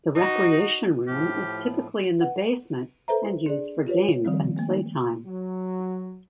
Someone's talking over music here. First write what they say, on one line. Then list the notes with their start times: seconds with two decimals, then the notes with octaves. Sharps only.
The recreation room is typically in the basement and used for games and playtime.
0.15 D#4 F#4
1.07 A2 F3 G4 F6
2.19 B4 F#5
3.08 A4 B4 C5 E5 A#5
3.46 D4 G#4 D5
3.87 F4 G4 B4 C#5
4.25 D#3 F3 G3 C4
4.57 A3 A#3
5.26 F#3